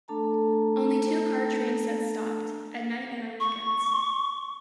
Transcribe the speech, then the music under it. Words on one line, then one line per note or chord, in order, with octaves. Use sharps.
Only two car train sets stopped, at night and on weekends.
A3 D4 A4 A5 A#5
C#6